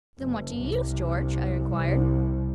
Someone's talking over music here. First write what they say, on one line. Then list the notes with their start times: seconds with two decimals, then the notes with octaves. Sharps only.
"Then what do you use, George?" I inquired.
0.18 F#1
0.55 C2
1.71 C2